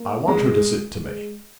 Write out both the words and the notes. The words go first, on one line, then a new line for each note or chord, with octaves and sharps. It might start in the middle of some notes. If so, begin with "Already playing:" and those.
I want her to sit to me.
Already playing: A#3
G#3
G#3